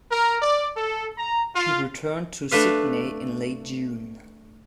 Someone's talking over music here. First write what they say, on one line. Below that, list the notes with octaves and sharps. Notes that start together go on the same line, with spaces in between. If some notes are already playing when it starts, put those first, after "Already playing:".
She returned to Sydney in late June.
A#4
D5
A4
A#5
F4
A3 D4 B4 F5